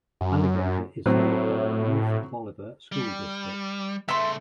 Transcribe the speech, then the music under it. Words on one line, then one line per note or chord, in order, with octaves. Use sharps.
Alligator is served by the North Bolivar School District.
F#2
A2 F#3 C4
G3
C#3 A3 E5 C6